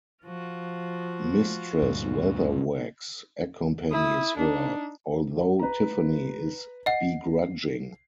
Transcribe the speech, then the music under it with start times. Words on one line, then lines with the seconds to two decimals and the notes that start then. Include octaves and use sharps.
Mistress Weatherwax accompanies her although Tiffany is begrudging.
0.24 F3 F4 F#4
1.82 D2 G2 A#2
3.91 E4 D#6
4.37 D4 D#4
5.60 B4 A#5
6.86 D#5 F#5 C7